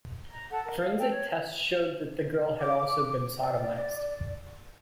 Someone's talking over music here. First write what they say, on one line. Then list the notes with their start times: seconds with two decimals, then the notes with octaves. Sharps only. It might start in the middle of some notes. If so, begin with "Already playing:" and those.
Forensic tests showed that the girl had also been sodomized.
0.32 A#5
0.51 A4 F#5 A5
0.64 A#4
0.77 F5
0.98 A4 G5
1.10 C#5
2.60 D6
3.38 D5